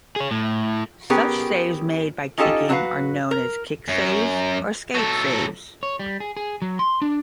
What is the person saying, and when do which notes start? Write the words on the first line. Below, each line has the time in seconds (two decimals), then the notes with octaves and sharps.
Such saves made by kicking are known as kick saves or skate saves.
0.16 G#4 C#5
0.31 A2
1.10 B3 C#4 G4 G#4 A#4
2.38 C#4 D#4 F4 G4 A4 D#5
2.69 F#3 D4 F#4 G#4 B4 F5
3.31 A#4
3.88 F#2
4.95 F#3 A4
5.83 C#5
5.99 G3
6.20 G#4
6.37 G#4
6.62 F#3
6.79 C6
7.02 D4